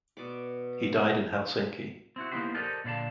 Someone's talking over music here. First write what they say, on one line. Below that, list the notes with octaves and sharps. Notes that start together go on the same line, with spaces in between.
He died in Helsinki.
B2 D5 D6
C4 E4 F#4
A#3 B3 D#4 E4 G4 C5
G4 A4 A#4 C5 D5 D#5
A#2 D3 D5 F5 A5